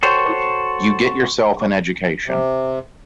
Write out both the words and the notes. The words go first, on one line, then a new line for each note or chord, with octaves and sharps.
You get yourself an education.
F#4 A4 C5 C#5 G5
C3